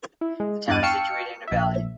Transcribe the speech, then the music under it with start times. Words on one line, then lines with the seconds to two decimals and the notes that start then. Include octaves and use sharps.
The town is situated in a valley.
0.21 E4
0.40 G#3
0.68 E2 G2 D6 F#6 A6 D#7
0.83 F5 G5 A5 C#6 E6 C#7
1.47 A#1 E5